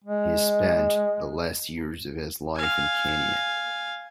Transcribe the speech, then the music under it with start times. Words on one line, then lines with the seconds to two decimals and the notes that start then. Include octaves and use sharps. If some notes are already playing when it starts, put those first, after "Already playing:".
He spent the last years of his life in Kenya.
0.04 G#3
2.56 F5 G#5